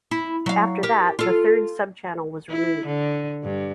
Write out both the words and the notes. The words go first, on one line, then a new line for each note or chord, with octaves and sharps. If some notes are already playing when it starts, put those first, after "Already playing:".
After that, the third subchannel was removed.
E4
F#3 F5
G4 A#4
F4 A4
E4
D3
G2